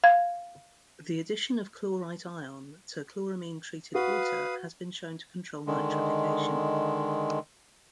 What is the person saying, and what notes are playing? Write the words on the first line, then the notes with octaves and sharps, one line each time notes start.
The addition of chlorite ion to chloramine-treated water has been shown to control nitrification.
F5 G#6
F#4 B4 F5 D#6
D3 D#3 G#3